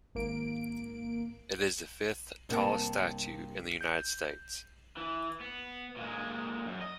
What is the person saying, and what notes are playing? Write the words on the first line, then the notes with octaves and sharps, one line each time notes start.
It is the fifth-tallest statue in the United States.
G#1 A#3 D7
G2 C3 A#3 G4 A5
G6
E3
B3
A#2 G#3
F#2
D#5